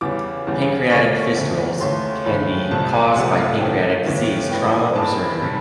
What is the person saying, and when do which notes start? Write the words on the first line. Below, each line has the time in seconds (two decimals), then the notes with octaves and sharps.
Pancreatic fistulas can be caused by pancreatic disease, trauma, or surgery.
0.01 E2 C#3 E3 G3 D6
0.47 E2 C#3 E3 G3
0.91 D2 C#3 F3 A3 C#6
1.36 D2 C#3 F3 A3
1.81 D#2 C#3 E3 A3 C6
2.26 D#2 C#3 E3 A3 B5
2.71 C2 C3 F3 A3 A5
2.93 G#5
3.16 C2 C3 F3 A3 F#5
3.38 F5
3.61 D#2 C#3 E3 A3 G5
4.06 D#2 C#3 E3 A3
4.51 G2 E3 G#3 G5
4.73 G#5
4.95 G2 E3 G#3 A5
5.41 C3 D#3 G3